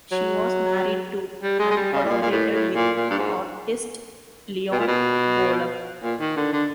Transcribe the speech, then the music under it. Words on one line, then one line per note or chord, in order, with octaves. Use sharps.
She was married to, and collaborated with, artist Leon Golub.
F#3
G3
G#3
G#3
G3
C#3
A2
A#2
A#2
A2
A2
A#2
A#2
G2
G#2
B2
A#2
B2
A#2
D#3
D3
D3